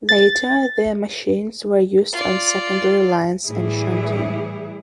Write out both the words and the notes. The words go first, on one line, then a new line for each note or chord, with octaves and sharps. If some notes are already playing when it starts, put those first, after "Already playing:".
Later the machines were used on secondary lines and shunting.
A6
F4 D5
A2 E3 G3 E4 G#4